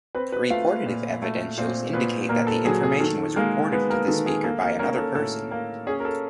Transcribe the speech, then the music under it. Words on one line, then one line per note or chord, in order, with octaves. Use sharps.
"Reportative" evidentials indicate that the information was reported to the speaker by another person.
C4 B4 B5
B4 B5
A3 F4 F5
A#2
A3
A#2 C4 C5
A#2 B3 B4
A#2 A#3 A#4
A4
F#3 G#4
G#4
D#3 A4
G#3 A#3 A#4
G#3 B3 B4
A#3 A#4
D#3 A4
G#4
A#3 A4
A#3 A#4
A#3 C#4 A#4
A4
A2 A4
A#3
C#4 G#4
A#4
A4